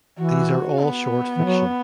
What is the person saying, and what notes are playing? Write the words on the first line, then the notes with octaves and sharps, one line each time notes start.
These are all short fiction.
E3 F#4
B3
E3
F#3